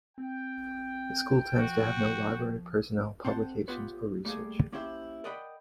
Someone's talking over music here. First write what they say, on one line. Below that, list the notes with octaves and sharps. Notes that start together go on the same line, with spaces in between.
The school tends to have no library, personnel, publications or research.
C4 G5
F3 F#4
C4 C5 F#5 A5
B3 F4 G4 B4 C#5
G3 A3 A#3 F#4 G#4
A#3 C#4 E4 G4 C5 E5
A#4 D5 D#5 F#5 G5 B5